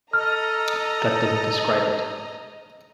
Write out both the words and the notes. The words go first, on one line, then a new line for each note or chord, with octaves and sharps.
That doesn't describe it.
A4 D#5 A#5 F6